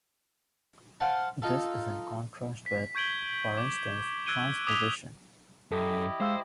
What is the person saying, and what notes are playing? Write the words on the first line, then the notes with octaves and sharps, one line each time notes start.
This is in contrast with, for instance, transposition.
C5 F5 F#5 A5
D#4 F4 A4
B6
C#6 G6 G#6 D7 F#7 G7
D6
E6 F#6 G#6 D7 D#7 G7
D6 D#6 G#6 B6 F7 G7
F#2 E4 G4 A4 D#5
G#3 C5 F5 E6